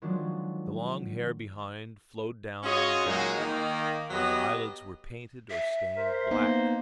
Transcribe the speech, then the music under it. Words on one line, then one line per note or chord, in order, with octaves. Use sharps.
The long hair behind flowed down on the back: and the eyelids were painted or stained black.
D#3 F3 F#3 G#3 C#4 D4
C#4 F4 F#4 G#4 C#5 D#5
A#2 F#3 G#3 A#3 D#4 F#4
D#3 A#3
F#3 B3 G4 D#5
E5
A#4 C5
A#3 B3 D#4